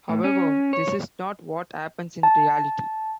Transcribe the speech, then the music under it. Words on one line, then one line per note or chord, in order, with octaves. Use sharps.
However, this is not what happens in reality.
A2
C#4
C#5
A5